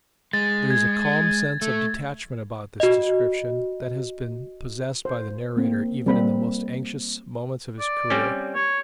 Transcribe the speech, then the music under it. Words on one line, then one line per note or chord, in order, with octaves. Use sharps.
There is a calm sense of detachment about this description that has been possessed by the narrator even in the most anxious moments of his career.
G#3 A6
G#6
A3
F#4 D#5
C5
A#3 C4
G3 A#3 C4 B5
D5
G3 C4 C#4
C#5